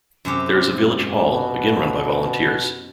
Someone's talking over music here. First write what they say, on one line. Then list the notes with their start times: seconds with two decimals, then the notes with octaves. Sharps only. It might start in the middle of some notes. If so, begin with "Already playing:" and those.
There is a Village Hall, again run by volunteers.
0.25 F#2 C3 G4
0.75 G#2
1.30 B2